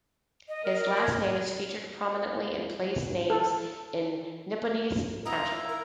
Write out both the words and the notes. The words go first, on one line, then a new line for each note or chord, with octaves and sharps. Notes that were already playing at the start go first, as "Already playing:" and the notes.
His last name is featured prominently in place names in Nippenose Township.
D#5
A#4 D#5
D5
G#6
A4
B3 E4 D#5 A#5
F4
E4
A#4